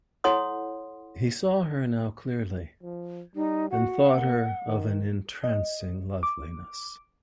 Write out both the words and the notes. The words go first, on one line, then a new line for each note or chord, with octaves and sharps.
He saw her now clearly, and thought her of an entrancing loveliness.
E4 A4 C#5 F#5 C6 D#6
F3
G3 D#4
F#4 F#5
A#3
D#3
D#5
D6